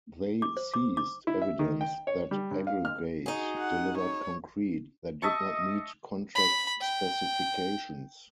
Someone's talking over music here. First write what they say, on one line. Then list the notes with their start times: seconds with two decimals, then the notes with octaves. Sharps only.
They seized evidence that Aggregate delivered concrete that did not meet contract specifications.
0.42 D6
0.57 C5
0.74 D6
0.97 D6
1.27 E4
1.42 E5
1.59 D#3
1.81 G5
2.07 C#5
2.31 G3
2.51 G2
2.67 F5
2.85 F6
3.26 D#4 F#4 G#4
3.58 F#5
3.98 C#5
5.22 D#5 E5 A5 C#6
6.36 B5
6.81 G5